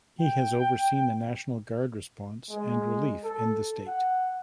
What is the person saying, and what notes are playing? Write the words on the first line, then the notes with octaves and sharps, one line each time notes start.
He has overseen the national guard response and relief in the state.
G5
G#3
A4
F#5